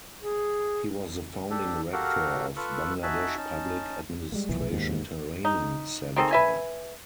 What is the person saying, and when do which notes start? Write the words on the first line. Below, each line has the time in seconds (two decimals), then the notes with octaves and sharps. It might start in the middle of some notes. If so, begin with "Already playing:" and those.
He was the founding Rector of Bangladesh Public Administration Training Centre.
0.22 G#4
1.50 D4 G4 A4
1.93 F#4 G4 A4 A#4 F5 F#5
2.56 F4 A4 B4 C#6 E6 F#6
3.03 D#4 F#4 E5 G#5 A5 F#6
3.37 C#4 D#4 A5
4.32 G3 G#3 A#3
4.49 F1 B1 A#2 E3
4.72 D#2 G#2
5.45 D#4
6.16 D#3 C4 G#4 A4
6.31 B4 E5 G#5